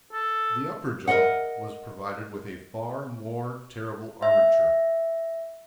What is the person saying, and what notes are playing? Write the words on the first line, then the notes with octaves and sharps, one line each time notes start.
The upper jaw was provided with a far more terrible armature.
A4
A#4 D5 D#5 F#5
E5